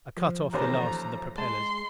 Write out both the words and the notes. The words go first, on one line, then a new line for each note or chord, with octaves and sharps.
I cut off the last of the propellers.
F3
A1 D#2 C5 A#5
G#3 A5 C6